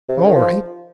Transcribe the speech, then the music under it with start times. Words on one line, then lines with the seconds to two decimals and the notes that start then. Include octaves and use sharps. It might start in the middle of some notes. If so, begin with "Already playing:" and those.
'All right.
0.09 C3
0.18 C#3
0.27 D#3
0.35 F3